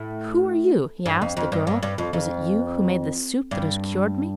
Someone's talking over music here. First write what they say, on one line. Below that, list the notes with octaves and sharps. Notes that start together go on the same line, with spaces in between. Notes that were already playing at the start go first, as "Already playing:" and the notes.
'Who are you?' he asked the girl; 'was it you who made this soup that has cured me?'
Already playing: A2
G2
F2
F2
G2
G2
G2
F2
F2
G2